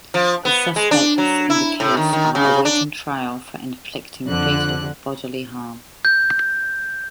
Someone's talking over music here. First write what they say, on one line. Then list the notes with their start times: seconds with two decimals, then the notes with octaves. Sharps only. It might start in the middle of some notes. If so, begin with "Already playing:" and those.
The suspects in the case are awaiting trial for inflicting fatal bodily harm.
0.14 F3
0.45 B3
0.76 G#3
0.91 D4
1.18 F#3
1.50 E4
1.80 A2
1.97 D#3
2.13 D#3
2.35 C#3
2.65 D4
4.27 F2 D3 F#6
6.05 G6